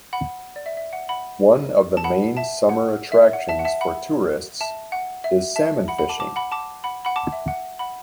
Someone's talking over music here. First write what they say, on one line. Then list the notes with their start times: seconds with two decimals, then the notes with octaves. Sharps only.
One of the main summer attractions for tourists is salmon fishing.
0.13 F#5 B5
0.56 D5
0.66 E5
0.77 E5
0.93 F#5
1.09 F#5 B5
1.97 A5
2.04 F#5 B5
2.37 E5 A5
2.69 F#5
3.12 E5
3.22 E5
3.33 F#5
3.49 E5 A5
3.59 F#5
3.65 E5 A5
3.81 F#5 B5
4.60 E5 A5
4.92 F#5
5.24 E5
5.56 E5 A5
5.88 F#5 B5
5.99 F#5 B5
6.09 A5 D6
6.20 A5 D6
6.36 F#5 B5
6.52 A5 D6
6.84 F#5 B5
7.05 F#5 B5
7.16 A5 D6
7.32 E5
7.48 F#5
7.79 F#5 B5